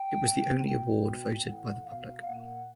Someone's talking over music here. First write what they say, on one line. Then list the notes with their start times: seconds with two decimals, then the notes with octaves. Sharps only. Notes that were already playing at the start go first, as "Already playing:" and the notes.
It was the only award voted by the public.
Already playing: G5
0.24 B2
0.65 B2 G5
1.05 B2
1.45 A2 E3 F#5
1.86 B2 F5
2.26 A#2 F#5